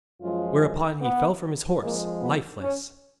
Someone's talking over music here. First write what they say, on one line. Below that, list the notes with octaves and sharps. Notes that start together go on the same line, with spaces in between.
Whereupon he fell from his horse lifeless.
F#2 F3 G#3 F4
B3
F2 F3 G#3 A#3
B3
C#4